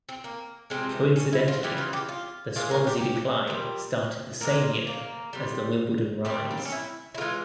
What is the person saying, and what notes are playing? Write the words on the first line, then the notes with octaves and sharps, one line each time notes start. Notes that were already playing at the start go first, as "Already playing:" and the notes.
Coincidentally, the Swansea decline started the same year as the Wimbledon rise.
C4
A#3
C3 F3 G#3 C4
C#4
E4
F4
C#3 E3 G3 G4
F4
G4
F4
A#2 F3 G#3 F4
A#4
G4
G4
A#2 G3
A#2 G#3 A#3
A#3
C3 G3
A#2 G3 C4
A#3
C4
C#4
E4
E4
C#3 E3 G#3 F4